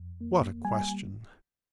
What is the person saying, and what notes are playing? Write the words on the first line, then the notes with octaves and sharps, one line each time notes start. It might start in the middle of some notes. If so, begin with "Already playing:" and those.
"What a question!"
Already playing: F2
A#3
G3 G#5